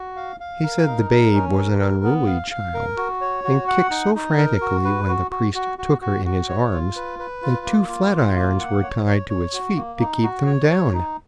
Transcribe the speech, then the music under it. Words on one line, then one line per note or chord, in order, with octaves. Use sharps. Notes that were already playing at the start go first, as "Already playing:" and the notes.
He said the babe was an unruly child, and kicked so frantically when the priest took her in his arms that two flatirons were tied to its feet to keep them down.
Already playing: F#4
F5
F5
A#4
D#4
A#4
C#4
A#4
A#4
B3
F5
F5
A#4
F#4
C#5
F#4
F#5
D#4
D#4
A#4
F#4
B4
F#4
F#4
F#4
F#4
F#4
F#4
C#5
F4
B4
B4
F4
A#3
F4
F4
A#3
F#5
C#5
C#5
C#5
F#4
A#3
D#4
F#4
C#5
C#5
D#4